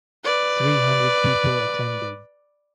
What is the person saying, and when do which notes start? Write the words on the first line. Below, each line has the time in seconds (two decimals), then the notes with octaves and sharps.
Three hundred people attended.
0.25 B4 D5